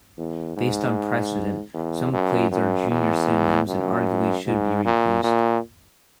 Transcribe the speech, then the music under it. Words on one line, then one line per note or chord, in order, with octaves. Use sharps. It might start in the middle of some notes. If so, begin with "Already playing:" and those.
Based on precedent, some clades are junior synonyms and arguably should be replaced.
E2
G#2
E2
F#2
F#2
E2
F#2
G#2
A#2
A#2